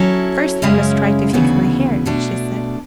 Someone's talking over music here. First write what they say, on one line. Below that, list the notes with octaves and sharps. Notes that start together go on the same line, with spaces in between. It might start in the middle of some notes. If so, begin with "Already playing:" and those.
"First I must try to fix my hair," she said.
Already playing: F#3 C#4 E4 A4
F#2 C#3 G#3 C#4 E4
D2 C#3 E3 B3 F#4
B2 A3 D4